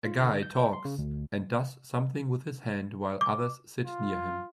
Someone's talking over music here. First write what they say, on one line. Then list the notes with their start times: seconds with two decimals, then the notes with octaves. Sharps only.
A guy talks and does something with his hand while others sit near him.
0.06 F4
0.21 D3
0.43 G6
0.73 C6
0.85 C#3
0.98 D2
3.21 D6
3.86 F4